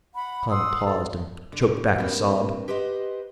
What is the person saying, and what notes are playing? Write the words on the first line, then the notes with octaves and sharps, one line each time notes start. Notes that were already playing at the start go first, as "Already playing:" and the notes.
Tom paused, and choked back a sob.
F#5 B5
F#5 C6 D#6 E6
A4
D3
G2 A#3 C4 B4
G4 B4 C5 D#5 F#5